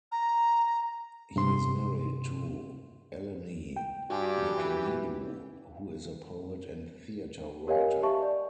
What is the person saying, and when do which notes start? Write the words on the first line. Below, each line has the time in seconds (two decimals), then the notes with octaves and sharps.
He is married to Eleni Merkenidou who is a poet and theatre writer.
0.12 A#5
1.36 G2 C3 C6
3.76 G5
4.10 G2 F#4 G4 G#5
4.56 E3
7.67 G4 A#4 C#5 D#5 F5 G#5
8.02 G4 E5 A5 C#6
8.23 D5